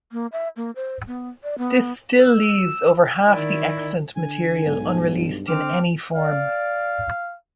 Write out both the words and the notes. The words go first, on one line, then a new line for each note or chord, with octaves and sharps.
This still leaves over half the extant material unreleased in any form.
A#3
E5
A#3
C5
B3
D5
B3
E6
D#3 E4 D5
D3 G#5
B1 G#2
G2
D3 C4 D6 F6
D5 F5